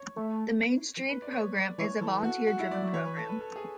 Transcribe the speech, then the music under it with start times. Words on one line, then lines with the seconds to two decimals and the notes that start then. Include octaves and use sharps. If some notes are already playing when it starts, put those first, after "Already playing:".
The Main Street program is a volunteer driven program.
Already playing: C#5
0.16 A3
1.09 B4
1.22 D5
1.32 C#5
1.55 D5
1.78 E3 C#5
2.01 E3 A4
2.24 F#4
2.47 F#4
2.59 E4
2.71 D5
2.82 F#3
2.93 E3 C#5
3.05 B4
3.17 A4
3.28 B4
3.40 A4
3.56 G#4